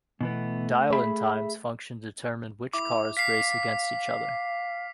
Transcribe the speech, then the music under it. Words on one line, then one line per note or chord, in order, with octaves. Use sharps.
Dial-in times function to determine which cars race against each other.
B2 E3 A3 B3
G#4 E5 B5
E4 D6
F5 B6 C7